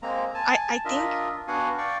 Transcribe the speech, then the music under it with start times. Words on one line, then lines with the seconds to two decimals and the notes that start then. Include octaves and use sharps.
I I think
0.03 G#3 A#3 C4 A#5
0.34 G#5 A5
0.85 D4 F4 A#4 D#5 E5
1.48 B3 D4 F#4 F5 F#5 G#5
1.78 D5 F5 G5 C#6